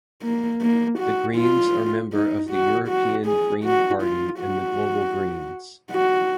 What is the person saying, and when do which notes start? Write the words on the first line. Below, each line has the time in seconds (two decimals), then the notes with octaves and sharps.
The Greens are member of the European Green Party and the Global Greens.
0.23 A#3
0.61 A#3
0.99 F#4
1.37 F4
2.13 D#4
2.51 F#4
2.89 F#4
3.27 G#4
3.65 F#4
4.03 F4
4.40 F#4
5.92 F#4